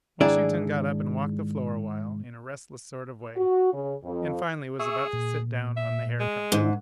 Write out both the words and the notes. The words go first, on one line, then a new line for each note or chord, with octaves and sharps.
Washington got up and walked the floor a while in a restless sort of way, and finally was about to sit down on the hair trunk.
G#2 D#3 D4 E4 G#4 D5
F#4
C#3
F2
G#4 E5 C#6 E6
A#2
E5
G#3
G#2 D#3 D4 E4